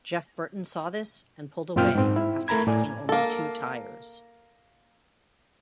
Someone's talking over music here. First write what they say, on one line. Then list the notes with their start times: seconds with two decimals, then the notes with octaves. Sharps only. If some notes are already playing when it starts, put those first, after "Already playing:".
Jeff Burton saw this and pulled away after taking only two tires.
1.76 F#2 A#2 C4 F4 G5 F6
1.95 G#2 C4
2.16 E4
2.48 A3 A#4 A#5 B5 G#6
2.67 A2 D5 G#5
3.09 A#3 A4